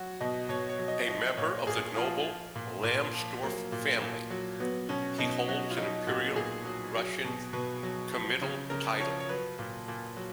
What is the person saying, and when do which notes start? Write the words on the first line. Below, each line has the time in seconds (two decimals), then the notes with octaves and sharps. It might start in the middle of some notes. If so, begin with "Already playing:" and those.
A member of the noble Lambsdorff family, he holds an Imperial Russian comital title.
Already playing: F#3 F#4
0.21 B2 D#5
0.49 B2 C#5
0.69 C#5
0.79 F#3
0.88 D#5
1.08 F3 D#5
1.37 A#2 C#5
1.67 A#2 G#4
1.96 F3 F4
2.26 F3
2.55 A#2
2.84 A#2
3.14 F3
3.43 F#3 A#3
3.72 A#2
4.01 A#2
4.30 F#3
4.60 F#3 B3
4.89 B2 C#4
5.18 B2 D#4
5.48 F#3 F#4
5.71 F4
5.77 F#3 D#4
6.07 A#2 F#4
6.36 A#2 G#4
6.65 F#3
6.95 F#3
7.24 B2
7.53 B2 B4
7.83 F#3
8.11 F3
8.41 C#3
8.70 C#3 A#4
9.00 F3 C#5
9.20 C#5
9.29 F#3 B4
9.59 A#2
9.88 A#2
10.17 F#3